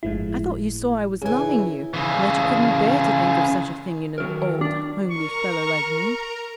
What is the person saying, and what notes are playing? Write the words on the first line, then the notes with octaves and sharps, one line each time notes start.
I thought you saw I was loving you and that you couldn't bear to think of such a thing in an old, homely fellow like me.
G1 A2 F3 G#3 E4
C#3 E3 G#4 G#5
C#3 E3
D#3 F#3 A#4
D4
A#4 A#5 C#6